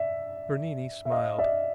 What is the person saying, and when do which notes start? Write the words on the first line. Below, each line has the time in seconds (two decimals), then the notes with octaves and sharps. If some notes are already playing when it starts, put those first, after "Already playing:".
Bernini smiled.
Already playing: D5 E5
1.05 E5
1.11 D#5 F5
1.38 D5 E5